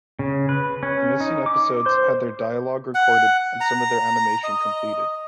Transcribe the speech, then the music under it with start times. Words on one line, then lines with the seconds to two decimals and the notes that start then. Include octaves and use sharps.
The missing episodes had their dialogue recorded and some of their animation completed.
0.19 C#3
0.49 B4
0.83 C#4
1.20 D#4
1.46 D6
1.86 C5
2.94 F#5
3.61 A#5
4.44 D#5